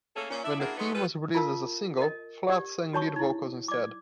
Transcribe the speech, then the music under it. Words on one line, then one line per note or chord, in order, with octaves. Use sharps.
When the theme was released as a single, Flatt sang lead vocals instead.
A3 A#3 C#4 G#4 A4
A#2 C#4
D4 E4 D5 E5
A#3 D4 E4 F#4 G#4 A#4
F#3 G#3 A3 B3 D#4
G3 F4 A4 B4
F4 A#4 F5 A5 E6
A#4 D#5
G4 D5
F#4 C#5 A5 C#6
D#4 E4
D5 D6